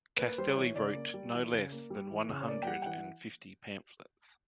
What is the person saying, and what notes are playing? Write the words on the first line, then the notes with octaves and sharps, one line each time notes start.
Castelli wrote no less than one hundred and fifty pamphlets.
A#3 B4
G3 C5
E3 C#5
C#3 D5
A#3
G3
E3
C#3
A#3
G3
E3
C#3
C#5
A#3 D5
G5
G3 F#5
G5
E3 F#5